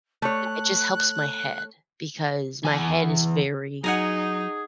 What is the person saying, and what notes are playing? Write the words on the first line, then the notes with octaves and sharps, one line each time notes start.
it just helps my head because my head is very
A3 C#5 F#6
E2 G#5
F#3 D#4 G#4 F#5 G#5 A#5